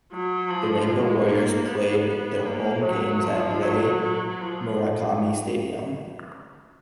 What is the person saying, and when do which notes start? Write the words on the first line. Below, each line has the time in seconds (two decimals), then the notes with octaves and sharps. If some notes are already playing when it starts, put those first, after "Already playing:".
The Rainbow Warriors played their home games at Les Murakami Stadium.
0.12 F#3
0.50 F3
0.90 G#3
1.28 A#3
1.67 B3
2.45 A#3
2.84 F#3
3.24 F3
3.62 F#3
4.01 F#3
4.41 F3